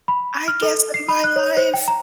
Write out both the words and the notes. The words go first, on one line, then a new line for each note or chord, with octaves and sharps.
I guess, in my life,
B5
F6
A4
C7
B5
F#6
C#5
C5
G5
A#5